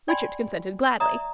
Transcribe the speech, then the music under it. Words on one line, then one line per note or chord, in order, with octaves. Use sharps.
Richard consented gladly.
D5 G5 G#5 B5 C6
D5 E5 A#5 D#6